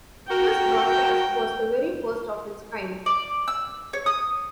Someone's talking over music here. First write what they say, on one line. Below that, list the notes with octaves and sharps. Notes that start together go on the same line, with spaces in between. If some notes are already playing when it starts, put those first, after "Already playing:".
This broadcast was the very first of its kind.
F#4 A#4 G5
D5
E6
C#5
D#6